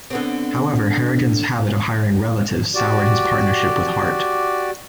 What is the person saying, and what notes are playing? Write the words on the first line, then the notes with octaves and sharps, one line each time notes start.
However, Harrigan's habit of hiring relatives soured his partnership with Hart.
D3 B3 C4
F#4 G4 D5